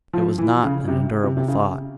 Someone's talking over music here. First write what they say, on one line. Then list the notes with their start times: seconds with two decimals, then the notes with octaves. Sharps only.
It was not an endurable thought.
0.13 F3
0.38 E3
0.63 C#3
0.88 C3
1.24 C3
1.37 C3
1.48 C#3